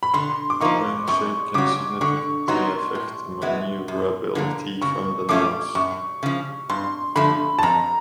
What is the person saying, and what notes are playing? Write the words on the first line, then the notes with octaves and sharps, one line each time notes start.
Rail shape can significantly affect the maneuverability from the nose.
B5
D3 C6
D6
F3 A#3 D#4 C#6
F#2 C#6
C#3 F#3 D6
D3 C#6
F#3 B3 D#4 C6
A2
E3 G#3 B3 E4
F#2
D3 F3 A#3
C#3 C#6
F3 A3 C#4 F4 D6
F#2 C#6
C#3 F3
G2 C6
D3 F3 A3 B5
A5
F2 A#5